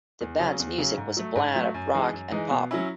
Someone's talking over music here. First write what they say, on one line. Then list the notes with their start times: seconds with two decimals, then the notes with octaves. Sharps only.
The band's music was a blend of rock and pop.
0.21 E2
0.40 C#3 F#3 C#4
0.60 E2
0.78 C#3 F#3 C#4
0.98 G#2
1.17 F#3 A3
1.36 G#2
1.55 F#3 A3
1.74 F#2
1.93 E3 G#3 D#4
2.13 F#2
2.32 E3 G#3 D#4
2.51 B2
2.71 F#3 C#4 E4